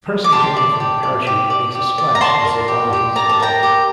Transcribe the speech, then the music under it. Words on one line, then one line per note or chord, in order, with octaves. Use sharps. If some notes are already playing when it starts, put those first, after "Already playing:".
A person hanging from a parachute makes a splash as their body hits the water.
D6
G4 A5 C6
D5
G4
D5
G4
D5
G4
D5
A#5
D5 A5 C6
A#4
G4
G4
D5 A#5
A5
A#4 G5 A#5
G4